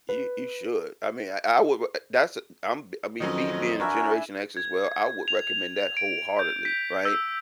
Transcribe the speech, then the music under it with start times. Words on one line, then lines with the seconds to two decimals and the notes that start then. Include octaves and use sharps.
you you should. I mean, I I would, but i that's a I'm I mean, me being a Generation X as well, I would recommend that wholeheartedly, right?
0.09 B4
3.20 F2 D#3 F#3 C#4 D#5
3.80 D4 F#4 A#4 E5 G#5 B5
4.57 G#6
5.28 F7
5.97 D7
6.39 G6
6.65 B6
7.05 E6